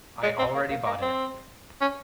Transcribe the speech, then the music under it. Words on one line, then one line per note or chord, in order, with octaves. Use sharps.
I already bought it.
G#3
C4
A#3
A#3
A#3
C4
C#4